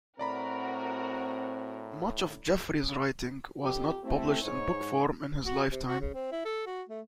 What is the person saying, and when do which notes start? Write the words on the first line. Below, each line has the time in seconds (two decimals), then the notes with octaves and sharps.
Much of Jefferies's writing was not published in book form in his lifetime.
0.19 A2 C4 F#4 A#4 D5 A#5 B5
3.63 F2 G4
4.03 A3 C4 E4 G4
4.42 G#2 C#5
5.45 F#4
5.71 C3
5.87 F#4
6.00 C#3
6.14 C4
6.32 E4
6.45 A4
6.66 F#4
6.89 A3